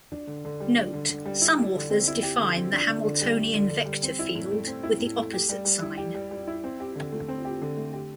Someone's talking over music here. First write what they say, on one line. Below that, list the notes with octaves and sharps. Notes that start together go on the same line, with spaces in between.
Note: Some authors define the Hamiltonian vector field with the opposite sign.
D4
D3
D3
G3
D4
D3
D3
G3
E4
G4
D3
C4
E4
G4
D3
C4
D4
D3
D3
G3
D4
D3
D3
G3
C4
E4
A2
A3
C4
E4
A2
A3
G4
G3
G3
E4
G4
G3
G3
E4
C4
G4
D3
A3
C4
G4
D3
A3
G4